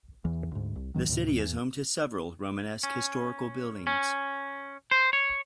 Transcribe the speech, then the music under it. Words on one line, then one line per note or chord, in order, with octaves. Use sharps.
The city is home to several Romanesque historical buildings.
E2 E3
D2 G#2
C2
B1 G#2 D#3 F#3
D2 A2 C3 D#3
E2
C#4
C#4
C5
C#5